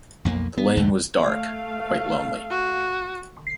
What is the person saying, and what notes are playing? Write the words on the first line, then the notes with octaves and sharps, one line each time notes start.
The lane was dark, quite lonely.
B1 F2 A#3
B3
A#1 E2 D3 A3
A3 F5
F#4